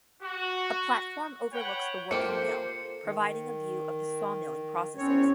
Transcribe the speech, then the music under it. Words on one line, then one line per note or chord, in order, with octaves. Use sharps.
A platform overlooks the working mill, providing a view of the sawmilling processes.
F#4
B4 C#5 F#5 G5
A#3 F4 G4 A4 C5 C#7
D#3
E2 C4 C#4 C#5